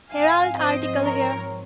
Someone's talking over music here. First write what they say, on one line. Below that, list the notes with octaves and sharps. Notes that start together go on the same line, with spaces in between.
Herald article here.
G#2 F3 C4 F5 G#5
C5 D#5
A#4 C#5